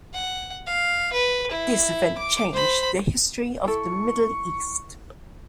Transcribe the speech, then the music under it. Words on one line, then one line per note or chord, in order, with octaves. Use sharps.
This event changed the history of the Middle East.
F#5
F5
B4
E4
D6
C5 B5
E4 A4 C#6